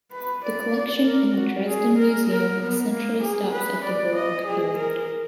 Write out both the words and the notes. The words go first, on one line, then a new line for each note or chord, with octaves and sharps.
The collection in the Dresden museum essentially stops at the Baroque period.
B4
D5
D5
A#4
F#4
G#4
A#4
A#4
B3
A#3
G#4
B4
D5
D#5
G#4
A#4